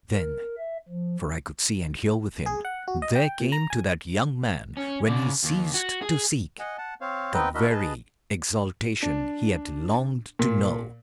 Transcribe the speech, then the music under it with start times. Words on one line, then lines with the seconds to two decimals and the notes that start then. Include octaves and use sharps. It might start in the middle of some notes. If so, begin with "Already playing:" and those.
Then--for I could see and hear with him--there came to that young man when he ceased to seek, the very exaltation he had longed to know.
0.12 A#4
0.58 E5
0.89 F3
2.46 G#4
2.65 F#5
2.88 F#4
3.02 D#5
3.15 G5
3.40 A#2
3.52 A#5
3.70 G#5
4.77 C#4
5.08 C#3 D5
5.44 D#2
5.74 F#4
6.02 G#4
6.59 D#5 F#5 G#5
6.78 F#5 A5
7.01 C4 C5 C#5 F5
7.34 B3 C4 D#4 B4 D#5 G5
7.55 D4 E4 F#4 A#4 D#5 E5
7.70 G#4 B4 D#5 A5
9.02 D4
10.39 A#2